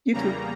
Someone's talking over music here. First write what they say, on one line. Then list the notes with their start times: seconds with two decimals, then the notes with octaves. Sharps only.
You too.
0.13 E2 C#3 G3 A#3 A#5